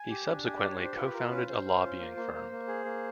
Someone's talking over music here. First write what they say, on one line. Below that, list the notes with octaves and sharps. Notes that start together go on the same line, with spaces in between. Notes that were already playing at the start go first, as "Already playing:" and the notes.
He subsequently co-founded a lobbying firm.
Already playing: G#5
G4
D4
G4 G#5
D4 D5
C#5
G4
C5
F4 B4
B4
F4 A#4
C#4 B4
C#4 C5
C#4
F4
A#3
A#3
A#3
A#3
G#4
A#3